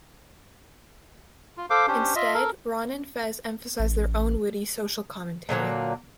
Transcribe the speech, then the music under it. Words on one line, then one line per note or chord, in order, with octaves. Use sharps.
Instead, Ron and Fez emphasized their own witty social commentary.
F4
A4 C5 F5 D6
C#4 D4 G4 C5
F4 D#5 E5
A4 A#4
A1
A#2 D3 F#3 A#3